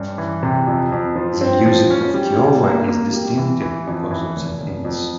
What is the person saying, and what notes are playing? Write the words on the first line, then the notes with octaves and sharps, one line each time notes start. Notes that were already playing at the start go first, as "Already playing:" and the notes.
The music of Kiowa is distinctive because of the hymns.
Already playing: G2 C#4
E3
C3
F2
F2
F3
C4
F3
C#4
G3
G3
A#3
A#3
G3
E3
E3
F2
E3
F1
F1
F2